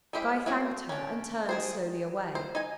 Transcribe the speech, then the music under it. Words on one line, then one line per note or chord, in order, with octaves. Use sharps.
Guy thanked her, and turned slowly away.
G#3 E4 G4 C5 E5
A3 A#3 F#4 C#5
C#4 D4
D#3 G#4 C5
C5
D#4 G#5